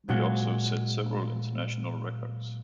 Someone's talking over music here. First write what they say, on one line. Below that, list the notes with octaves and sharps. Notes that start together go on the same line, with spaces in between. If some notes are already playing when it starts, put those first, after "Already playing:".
They also set several international records.
A#2 F#3 G#3 F#4 G#4